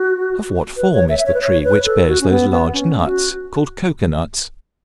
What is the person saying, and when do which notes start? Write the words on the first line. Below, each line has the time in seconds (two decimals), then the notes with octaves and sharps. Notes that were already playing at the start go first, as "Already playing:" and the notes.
Of what form is the tree which bears those large nuts, called Cocoa nuts?
Already playing: F#4
0.77 B4
0.93 C#5
1.09 E5
1.19 E5
1.26 C#5
1.34 B4
1.42 C#5
1.64 B4
1.85 A4
2.08 F#4
2.21 C#4
2.30 B3
2.51 B3
2.73 C#4
3.06 F#4